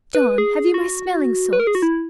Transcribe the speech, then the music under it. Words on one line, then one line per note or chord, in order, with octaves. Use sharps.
John, have you my smelling salts?
B4
G#4
F#4
B4
A#4
G#4
F#4
E4